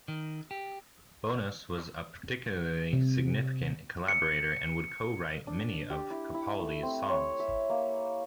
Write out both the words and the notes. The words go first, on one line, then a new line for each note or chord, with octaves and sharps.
Bonas was a particularly significant collaborator, and would co-write many of Capaldi's songs.
D#3
G4
C3
C#7
D4
A5
G4
E4
E4
A3
C4
C#5
E5
A#3